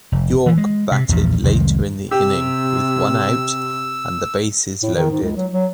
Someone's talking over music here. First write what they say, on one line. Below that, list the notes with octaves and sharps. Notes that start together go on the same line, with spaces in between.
Iorg batted later in the inning with one out and the bases loaded.
F1
E3 F3
G#3
C3
A#1 E2 G2 A#2
C2 F2 D#3 G#3
C3 G4 E6
A2
D#3
G#2
C#2
F#3
F#3